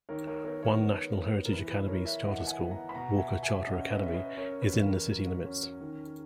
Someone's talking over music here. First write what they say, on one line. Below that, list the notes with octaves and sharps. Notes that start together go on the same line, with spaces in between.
One National Heritage Academies charter school, Walker Charter Academy, is in the city limits.
D#3 A#4 C#5
A#4 C#5
B3 A#4 C#5
A#4 C#5
B3
B3
A#4
E3 B4
B4
E3 A#4 C#5
C#5 E5
E3 D#5 F#5
F#5
E5 G#5
B3
F#5 A#5
B5
B2 F#5 A#5
F#5
E5 G#5
B2
E5 G#5
C#4 D#5 F#5
B4 D#5
C#4 E5
B4 D#5
C#4 A#4 C#5
B4
E2
A#4
F#3
C#4
D#3